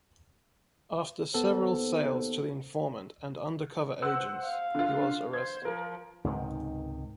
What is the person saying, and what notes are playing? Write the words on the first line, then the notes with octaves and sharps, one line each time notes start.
After several sales to the informant and undercover agents, he was arrested.
D#2 B3 A4 C5
C5 F#5 E6
F5
D3 F4
C5 G#6
F3 A#4
C#2 G#2 C3 D#3